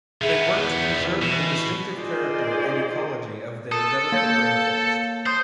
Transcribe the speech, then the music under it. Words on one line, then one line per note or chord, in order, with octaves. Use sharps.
They work to preserve the distinctive character and ecology of their delicate rainforest.
D#3 B3 G#4 E5
E2
B2 E3
D#4 F4 G#4 C5 D5 D#5
A4 D#6
A#3 C#5 G6
C5 C6 D#6 G6